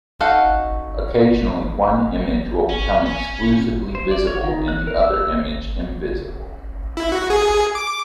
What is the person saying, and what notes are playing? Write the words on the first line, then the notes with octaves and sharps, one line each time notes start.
Occasionally one image will become exclusively visible and the other image invisible.
D#4 F#4 A4 F5 F#5
C#4
C#4
C5
D5
C#5
D#3
F#6
A#4
E6
E4
F#4
G#4
D6